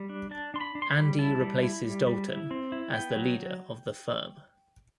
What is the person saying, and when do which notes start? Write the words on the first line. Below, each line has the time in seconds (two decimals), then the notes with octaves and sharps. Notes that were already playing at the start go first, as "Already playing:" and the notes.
Andy replaces Dalton as the leader of The Firm.
Already playing: G3
0.09 D4
0.31 D4 A5
0.54 D4 C6
0.61 B5
0.75 D4
0.82 C6
0.90 B5
0.97 G3
1.19 E4 A5
1.41 G3
1.63 E4
1.84 G3
2.07 G3
2.28 E4
2.51 C4
2.72 E4
2.93 B3 G5
3.16 F#3